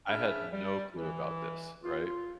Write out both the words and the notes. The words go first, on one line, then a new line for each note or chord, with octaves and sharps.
I had no clue about this, right?
C#3 D4 E5 B5 F6
G3
E3
F4